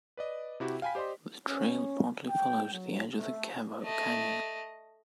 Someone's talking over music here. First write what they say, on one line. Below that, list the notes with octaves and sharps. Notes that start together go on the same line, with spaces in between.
The trail partly follows the edge of the Kevo canyon.
B4 D5 D#5
C3 E4 F#4 G4
F5 G5 G#5 B5 B6
G4 C5 D5 D#5 C6
C#4
G5
F#3
A3
A3 D#5